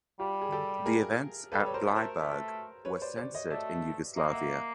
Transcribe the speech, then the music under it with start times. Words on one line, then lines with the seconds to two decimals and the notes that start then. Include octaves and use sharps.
The events at Bleiburg were censored in Yugoslavia.
0.19 G3 F4 G4
0.42 G#4
0.52 G4 A4
0.86 G#4 A#4
1.52 G3 A4 B4
1.66 C#5
1.74 A#4 C5
1.85 A3
1.96 A#4 C5
2.19 A3
2.85 B4 C#5
3.01 C5 D5
3.17 C5 D5
3.34 C#5 D#5
3.50 A3 D5 E5
4.17 A#3 D#5 F5
4.33 E5 F#5